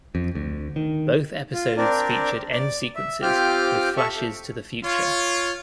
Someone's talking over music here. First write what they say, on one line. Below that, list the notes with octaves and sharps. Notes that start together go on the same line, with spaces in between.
Both episodes featured end sequences with flashes to the future.
F2
D2
D#3
F4
C4 D4 A#4 D5
D5
E5
C4 F4 G4 G5 D6 F6
A4 E5 C#6
F4 C#5